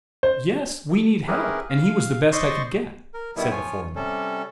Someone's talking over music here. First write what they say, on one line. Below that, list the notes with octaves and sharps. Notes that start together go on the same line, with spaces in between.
"Yes; we need help, and he was the best I could get," said the foreman.
C5
C#4 E4 G4 G#4 A#4 B4
F5
C5 D5 D#5 C6 C#6
A#4
B2 D#3 G3 B3 E4
F3 F4 C#5 G#5
C3 G3 C#4 A4